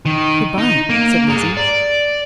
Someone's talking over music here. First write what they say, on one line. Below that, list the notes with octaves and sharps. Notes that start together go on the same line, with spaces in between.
"Good-bye," said Lizzie.
D#3
D#4
A#3
G#4 A#5
D5